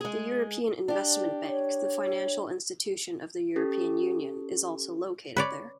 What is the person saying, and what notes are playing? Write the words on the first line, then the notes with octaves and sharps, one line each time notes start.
The European Investment Bank-the financial institution of the European Union-is also located there.
G#3 G#4
D4 G4
C#5
C#4 G4 A4
B4 C#5 D5